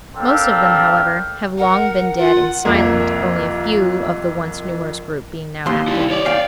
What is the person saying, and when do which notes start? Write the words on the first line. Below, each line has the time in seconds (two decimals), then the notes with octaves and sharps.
Most of them, however, have long been dead and silent, only a few of the once numerous group being now active.
0.16 C4 D4 G4 A4 A#4 F5
1.58 A#4 F#5
2.18 F4 F#5
2.65 C2 F2 A#3
5.66 D#2 C6
5.88 G3 E4
6.10 C#5 D5
6.26 F5 G5